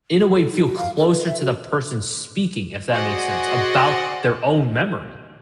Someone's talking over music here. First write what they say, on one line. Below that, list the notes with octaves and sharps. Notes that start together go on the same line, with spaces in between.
in a way, feel closer to the person speaking, if that makes sense, about their own memory.
F#4
A4
D#4
F#4
F5
A4
B4
E5
F#4
F#4 G#4 C5 D5 D#5 F#5